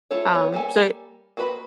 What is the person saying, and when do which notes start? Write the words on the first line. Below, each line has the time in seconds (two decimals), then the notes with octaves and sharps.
um, so
0.11 A3 E4 F4 A4 C#5
0.34 B3 C#5
0.52 G3 A#3 A4 G#5
1.37 A#3 F#4 A4 B4 B5